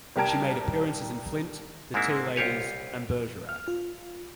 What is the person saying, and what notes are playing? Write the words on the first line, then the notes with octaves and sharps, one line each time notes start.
She made appearances in "Flint", "The Tea Ladies" and "Bergerac".
C2 G4 A#4 A5 G#6 D7
G#2 G#3 A#3 C4 E4
C2 F4 G4 C#5 G#5
F6
F4